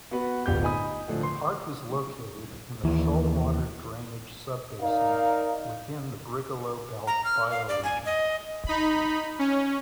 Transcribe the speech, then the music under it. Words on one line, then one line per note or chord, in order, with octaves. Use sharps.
The park is located in the Shoalwater drainage sub-basin within the Brigalow Belt bioregion.
B3 F#4 B4
D1 G1 B3 F4 G4 G6
D#4 G#5 B5 D#6
A2 D3 F3
C6
D#2 E3
D#4 A#4 D5 F5
A#5
F6
F5
D5
G#5
D#5
D#4 B5
C#4